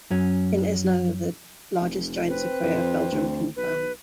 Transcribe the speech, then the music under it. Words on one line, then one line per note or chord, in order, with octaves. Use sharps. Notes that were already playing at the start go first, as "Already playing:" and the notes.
In Esneux, the largest giant sequoia of Belgium can be found.
F#2 F#3 C#4
F1
C4 B4
F2
D2
B1 B4